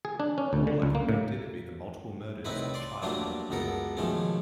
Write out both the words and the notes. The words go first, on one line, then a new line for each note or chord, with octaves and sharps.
All are convicted of either multiple murders or child murder.
G#4
D4
C#4
D2
D3
C#2
A#3
A2
C2 A2 C4 D#4 E4 B4
D5 C6
F#3 G3 A3 A#3 D4 F4
C#2 F#2 B3 A4 A#4
B1 D#3 F3 G#3 A3 C#4